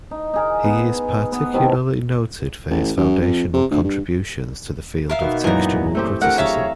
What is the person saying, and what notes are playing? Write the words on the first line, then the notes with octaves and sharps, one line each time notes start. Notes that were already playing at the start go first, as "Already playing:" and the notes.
He is particularly noted for his foundational contributions to the field of textual criticism.
D#4
D#4 G#4 A#4
B3
B3
C3 D#3 E4 A5
A1
F#2
F2
C3
D2
G2
A#4 E5 F5
B2 A#3 B3 D#4
F#2 A#2 E3 G#3 A#4 A#5
A3 C4 G4
A3 D4 G4 A#4 F#5
F#3 G#4 C#5 E5 F5 A#5